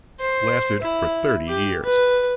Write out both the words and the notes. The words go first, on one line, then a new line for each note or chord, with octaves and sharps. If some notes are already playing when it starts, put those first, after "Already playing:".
It lasted for thirty years.
C5
E4
G4
B4